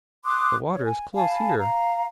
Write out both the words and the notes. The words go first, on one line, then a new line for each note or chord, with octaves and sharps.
The water is close here.
C6 D6 D#6 F#6
C#5
G#5
F5 G#5 A5 B5
F5 A#5